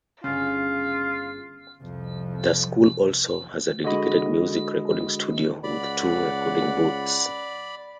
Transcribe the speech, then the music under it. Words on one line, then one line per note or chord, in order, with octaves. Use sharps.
The school also has a dedicated music recording studio with two recording booths.
G1 C#3 F4
C2 F2
D3 G#3 F#4 D#5 B5
C#2 D5 F#5 B5